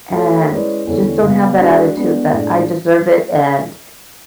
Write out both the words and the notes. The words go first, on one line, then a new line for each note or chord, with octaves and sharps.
and just don't have that attitude that, "I deserve it, and
A3 C#4 F#4 A4 C#5
G#3 C#4 E4 B4 D5
E2 D3 G#3 C#4
C#3 G#3 B3
G#3 D4 F#4
G#3 B3 D4
A2 G#3 D4